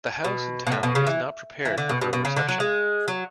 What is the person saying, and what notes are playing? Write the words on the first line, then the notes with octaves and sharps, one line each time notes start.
The house in town is not prepared for her reception.
B2
B2
A2
B2
C#3
E3
E3
D3
B2
B2
B2
C#3
D3
F#3
G#3
F#3